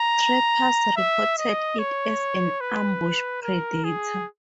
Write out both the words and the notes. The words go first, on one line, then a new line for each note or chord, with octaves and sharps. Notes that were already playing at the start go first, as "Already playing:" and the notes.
Trappers reported it as an ambush predator.
Already playing: A#5
E5
D#5
C#5
B4
A#4
G#4